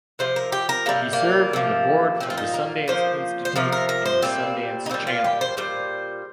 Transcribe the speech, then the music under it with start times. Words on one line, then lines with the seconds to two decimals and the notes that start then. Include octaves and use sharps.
He served on the Board of the Sundance Institute and the Sundance Channel.
0.19 C3 F3 C5
0.36 A#4
0.52 G4
0.69 A#4
0.86 C3 G3 A#3
1.13 A#3
1.53 C3 F3
2.20 A#2 F3 C4
2.30 F4
2.38 D#4
2.54 A#3
2.88 A#2 F3 C5
3.45 C5
3.56 C3 F3 A#4
3.72 A#4
3.89 A#4
4.06 C5
4.22 A#2 G3 C4
4.86 D#4
4.90 A#2 G3 C4
5.07 F4
5.24 G4
5.41 C5
5.57 A#2 G3 C5